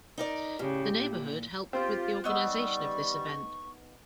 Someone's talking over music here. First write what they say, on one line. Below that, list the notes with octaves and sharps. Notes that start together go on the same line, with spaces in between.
The neighbourhood helps with the organization of this event.
D#4 A#4 D5
A2 C#3 G4
A#2
C4 F4 G4
G3 B3 D#4 C#6 E6